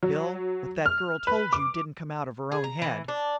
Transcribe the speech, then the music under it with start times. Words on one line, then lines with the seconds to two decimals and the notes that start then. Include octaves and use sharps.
Bill, what that girl told you didn't come out of her own head.
0.03 F#3
0.86 F6
1.27 B4
1.53 D6
2.52 G#4
2.64 A#5
2.82 E3
3.08 D4